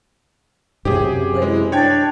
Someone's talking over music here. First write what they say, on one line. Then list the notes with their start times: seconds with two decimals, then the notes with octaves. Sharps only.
Like, if
0.85 F#2 C3 G4 G#4
1.42 G#3 E4
1.72 D4 C#5 G5 G#6